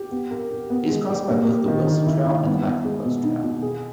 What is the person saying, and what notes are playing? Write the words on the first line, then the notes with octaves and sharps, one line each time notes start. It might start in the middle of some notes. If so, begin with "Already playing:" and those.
It is crossed by both the Wilson Trail and the MacLehose Trail.
Already playing: G4
B3
A#4
G4
B3
G#3
G4
A#3
G4
D#3
D#3
E4
E4
B3
B3
G#3
B2
D#4
B2
G#4